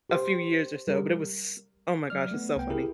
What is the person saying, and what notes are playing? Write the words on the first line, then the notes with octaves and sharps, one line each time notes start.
a few years or so, but it was s oh my gosh. It's so funny.
G4 C5
G3 A#4
F#3 D5 F6
A3 B3
C2 B3 G5
E4 G4 G#4 A#4